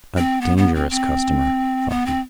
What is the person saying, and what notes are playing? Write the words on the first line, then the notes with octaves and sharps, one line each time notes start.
"A dangerous customer," thought he.
C4
B3
B3
C4
C4
B3
C4